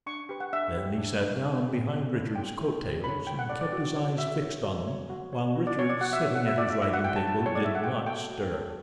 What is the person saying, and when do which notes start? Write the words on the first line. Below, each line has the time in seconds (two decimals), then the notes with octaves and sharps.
Then he sat down behind Richard's coat-tails and kept his eyes fixed on them, while Richard, sitting at his writing-table, did not stir.
0.06 D4 C#6
0.29 G4 B4
0.40 F#5
0.53 D4 E5
0.76 G4 B4
0.98 D4
1.20 G4 B4
1.44 D4
1.67 G4 B4
1.89 C#4
2.13 E4 A4 C#5
2.35 C#4 G5
2.58 E4 A4 C#5
2.81 C#4
3.04 E4 A4 C#5 B5
3.26 C#4 G5
3.39 F#5
3.49 E4 A4 C#5 D5
3.61 D5
3.72 F#4 D5
3.96 C#5
4.18 F#4 E5
4.42 C#5
4.64 F#4
4.87 C#5
5.10 F#4
5.33 C#5
5.56 F#4
5.67 D5
5.79 C#5
5.89 D5
6.01 F#4 F#5
6.13 E5
6.25 C#5
6.35 F#5
6.46 F#4 E5
6.58 D5
6.70 C#5 E5
6.82 E5
6.93 F#4 F#5
7.04 G5
7.15 C#5 A5
7.28 A5
7.39 F#4
7.46 C#5
7.55 D5
7.62 A4 C#5 E5
7.75 F#5
7.84 F#4 G5
8.07 A4 C#5 G5
8.31 F#4
8.53 A4 C#5